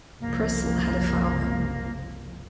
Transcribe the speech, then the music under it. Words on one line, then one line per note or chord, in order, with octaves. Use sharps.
Purcell had a flour mill.
F#1 C2 F3 A#3